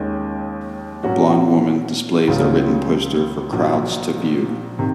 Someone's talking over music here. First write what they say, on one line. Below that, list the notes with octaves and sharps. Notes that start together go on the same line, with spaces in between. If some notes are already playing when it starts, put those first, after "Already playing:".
A blond woman displays a written poster for crowds to view.
Already playing: D#2 D#3 G#3 C#4
A#2 F#3 C#4 F#4
C#2 C#3 F#3 C#4 F4
A#1 A#2 F#3
C3 D#3